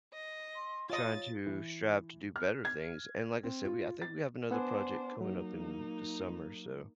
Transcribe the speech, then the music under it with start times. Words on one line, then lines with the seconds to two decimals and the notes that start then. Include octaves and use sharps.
trying to strive to do better things, and like I said, we I think we have another project coming up in the summer, so
0.13 D#5
0.55 C6
0.90 F4 C#5 D#5 A6
1.46 E3
2.36 F6
2.65 G#6
3.43 C4
3.65 F4
4.02 A6
4.51 B3 D4 C5 F#5 G#5
5.21 F#3 A#3 D#4